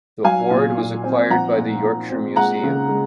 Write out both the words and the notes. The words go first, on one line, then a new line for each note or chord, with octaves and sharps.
The hoard was acquired by the Yorkshire Museum.
F#3 F5 G#5
A#2
A#2
C4
F3 F#5 A#5
A#2
A#2
C4
G#3 F#5 A#5
C#3
G#3